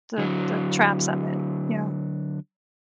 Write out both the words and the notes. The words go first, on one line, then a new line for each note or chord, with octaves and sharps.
the the traps of it, you know?
D3 F#3